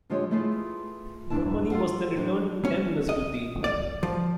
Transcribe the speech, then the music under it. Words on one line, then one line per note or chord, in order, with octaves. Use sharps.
The money was then returned to M. Nazaruddin.
D3 F3 G#3 F4 G4 C#5
A3 B3 E4 F4 G#4
E2 G#2 E3 D4 E4 A5
F4 A4 F5 F#5
F2 F#3 D4 C5 G5
C#4
D#5
D5
F3